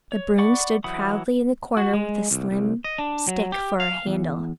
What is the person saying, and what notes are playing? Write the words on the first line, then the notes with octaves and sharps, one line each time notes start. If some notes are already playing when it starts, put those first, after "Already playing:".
The broom stood proudly in the corner with a slim stick for a handle.
C#5
D5 F#5 B5 C#6
E3 F#3 F#5 B5 D#6
F#4
G#3
C2
C2
D#5
D4
F#3
G4
F5
E2